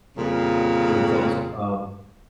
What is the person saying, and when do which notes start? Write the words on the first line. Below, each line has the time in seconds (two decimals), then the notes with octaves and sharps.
Lentils, um
0.16 F2 A#2 C#3 G3